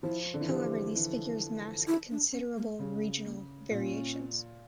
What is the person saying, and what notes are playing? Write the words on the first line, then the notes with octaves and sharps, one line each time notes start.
However, these figures mask considerable regional variations.
F3 E4
D3
E3
F3 G4
E3
E4
D4
C#4
A#3
C#3 C#4
A#3
A#2 C#4